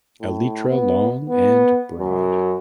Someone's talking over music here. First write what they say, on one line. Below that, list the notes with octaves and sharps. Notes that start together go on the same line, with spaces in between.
Elytra long and broad.
A2
B3
B3
F#2